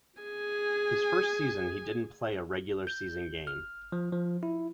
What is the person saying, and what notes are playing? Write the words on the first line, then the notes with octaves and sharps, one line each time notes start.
His first season he didn't play a regular season game.
G#4 G#5
G6
F6
F3
F3
E4